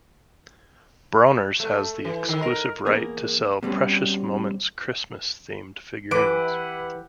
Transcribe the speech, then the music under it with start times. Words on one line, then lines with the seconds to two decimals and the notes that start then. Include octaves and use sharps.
Bronner's has the exclusive right to sell Precious Moments Christmas-themed figurines.
1.60 A3
2.05 E3
2.29 D#3
2.42 A#4
2.86 E2 A#3 G#4
3.63 B2 G3 C4 C#4
6.11 E3 E4 G4 B4 F#5 D6